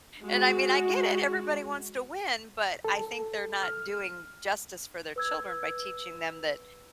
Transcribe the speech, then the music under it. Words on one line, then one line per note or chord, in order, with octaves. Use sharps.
and I mean, I get it. Everybody wants to win, but I think they're not doing justice for their children by teaching them that,
G#3 F#4
A4
F6
B4 E6 G#6